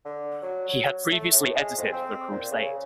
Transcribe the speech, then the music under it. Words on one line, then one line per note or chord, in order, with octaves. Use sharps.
He had previously edited "The Crusade".
D3
F#3
F#3
A3
A2
G#3
F2
C4
A#2
C#3